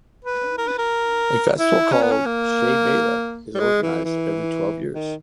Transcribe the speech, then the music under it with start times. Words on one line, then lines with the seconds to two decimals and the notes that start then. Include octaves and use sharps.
A festival called "Shey Mela" is organized every twelve years.
0.25 B4
0.58 A#4
0.67 B4
0.78 A#4
1.58 E4
1.92 C#4
2.02 B3
2.11 C#4
2.26 A#3
3.54 G3
3.59 G#3
3.82 E3
4.04 E3
4.94 D#3